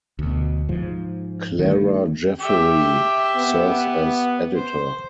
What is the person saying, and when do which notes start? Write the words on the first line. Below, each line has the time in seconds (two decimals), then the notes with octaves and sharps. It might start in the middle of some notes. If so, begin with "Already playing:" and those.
Clara Jeffery serves as editor.
0.19 D2 B2
0.69 G#2 F3
1.59 D#3 A3
2.39 G4 E5
3.35 B3
4.55 C5